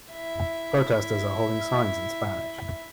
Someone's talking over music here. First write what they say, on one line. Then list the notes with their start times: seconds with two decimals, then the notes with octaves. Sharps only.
Protesters are holding signs in Spanish.
0.12 E4 E5